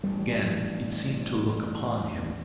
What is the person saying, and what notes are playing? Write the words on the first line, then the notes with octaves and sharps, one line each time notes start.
Again it seemed to look upon him.
A1 G2 G3